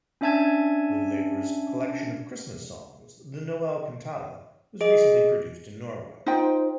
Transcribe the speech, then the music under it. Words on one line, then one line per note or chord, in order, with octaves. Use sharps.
Woolaver's collection of Christmas songs, "The Noel Cantata," was recently produced in Norway.
C#4 D4 E5 G#5 A5 G#6
G#4 D#5
D#4 F4 C5 G5